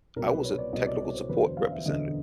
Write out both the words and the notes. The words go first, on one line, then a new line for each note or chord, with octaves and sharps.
I was a technical support representative,
C2 B2 F#3 A#4
B4
C#5
D5
C2 B2 F#3 D#5
D5
C#5
C5
E1 D2 D3 F#3 B4
C5
F5
E5
E1 D2 D3 F#3 D#5